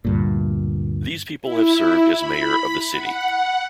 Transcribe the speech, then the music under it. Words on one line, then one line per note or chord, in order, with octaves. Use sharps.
These people have served as mayor of the city.
D2 G2 A#2
E4
B5
F#5